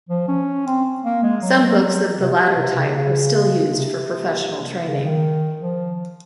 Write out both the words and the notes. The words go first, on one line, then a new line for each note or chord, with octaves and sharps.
Some books of the latter type are still used for professional training.
F3
C#4
C4
A#3
G#3
F#3
C3
C3
C#3
C#3
C3
C#3
D#3
F3